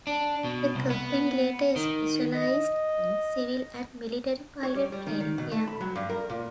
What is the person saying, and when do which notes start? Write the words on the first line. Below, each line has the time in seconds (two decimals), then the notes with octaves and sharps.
The company later specialised in civil and military pilot training aircraft.
0.07 D4
0.45 B2
0.75 C2
0.90 B3
1.76 D#3
2.35 D#5
4.63 C#5
4.75 G3
4.92 G3
5.07 D#3
5.20 D#3
5.38 B2
5.51 A3
5.68 B5
5.81 F#3
5.95 G2
6.10 A#4
6.30 A#2